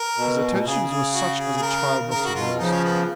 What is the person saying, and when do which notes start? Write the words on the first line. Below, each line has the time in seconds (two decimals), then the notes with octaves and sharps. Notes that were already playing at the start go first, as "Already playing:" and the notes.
His attentions were such as a child must have noticed.
Already playing: A#4
0.16 B2
0.48 A#2
0.57 B2
0.65 C#3 G#4
0.90 G#4
1.14 F#4
1.39 G#4
1.57 G#4
1.62 A#4
2.05 D#3
2.11 C#3 A#4
2.25 F#4
2.35 B2 F4
2.59 C#3 F3 D#4
2.72 C#4
2.84 B3